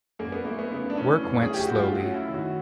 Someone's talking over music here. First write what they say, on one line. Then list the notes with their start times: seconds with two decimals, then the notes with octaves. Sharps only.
Work went slowly.
0.19 F#2 A#3
0.32 B3
0.45 A3 A#3
0.59 B3
0.72 C#3
0.90 D4
0.97 E3 C#4
1.24 F#2
1.42 G#4
1.50 A3 G4
1.65 F#4
1.75 F#2 F4
1.88 F4
1.95 F#4
2.02 C#4
2.14 E4
2.28 D#3
2.34 F#4